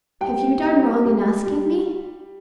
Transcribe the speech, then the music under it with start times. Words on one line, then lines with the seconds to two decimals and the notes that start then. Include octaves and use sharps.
Have you done wrong in asking me?
0.21 G3 G5
0.63 G3
1.04 G3
1.46 G3